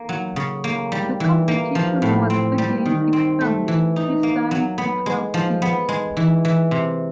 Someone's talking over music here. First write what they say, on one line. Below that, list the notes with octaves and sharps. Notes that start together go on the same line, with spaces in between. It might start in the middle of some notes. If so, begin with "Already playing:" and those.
The competition was again expanded - this time to twelve teams.
Already playing: A#3
F#3
C#3
A#3
G3
E3
A#3
F3
A2
C4
G3
D#3
C4
A3
E3
D#4
A#3
F#3
B3
G#3
F3
B3
G#3
E3
E3
C3